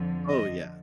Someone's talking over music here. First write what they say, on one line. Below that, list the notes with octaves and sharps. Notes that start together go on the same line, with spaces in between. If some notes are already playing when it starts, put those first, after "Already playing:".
Oh yeah.
Already playing: F2 D3 F3
D#5